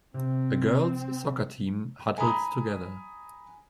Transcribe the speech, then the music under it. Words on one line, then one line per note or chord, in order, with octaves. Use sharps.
A girls ' soccer team huddles together.
C3 C4
G#5 A#5 B5 D#6